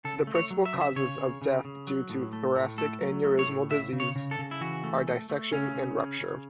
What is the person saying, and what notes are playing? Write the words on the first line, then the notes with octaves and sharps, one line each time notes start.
The principal causes of death due to thoracic aneurysmal disease are dissection and rupture.
C#3 A4
A3
C#5
F#3
E5
C#3
E5
C#3 C#5
C#3
C#3
C#3
F#3
A2
A3
A2
A3 A4
F#3
A3
C#5
A2
C#3 E5
C#3
C#5
C#3
A4
C#3
E4
E3 F#4
A3
A3
A3
C#3 C#4
C#3
C#3
C#3